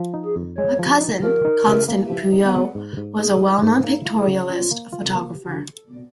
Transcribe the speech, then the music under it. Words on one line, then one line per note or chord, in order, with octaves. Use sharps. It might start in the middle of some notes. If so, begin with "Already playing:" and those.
A cousin, Constant Puyo, was a well-known Pictorialist photographer.
Already playing: F3
D#4
G#4
F2
G#3 C#5
F3
D#4
F3 A#4
D#4
C#3
A#3
F3
D#4
G#3
G#2
G#2
D#4 G#4
G#3
G#2
A#3 D#4
F4
G#4
C#3
C#4 F4
A#3
F4
A#3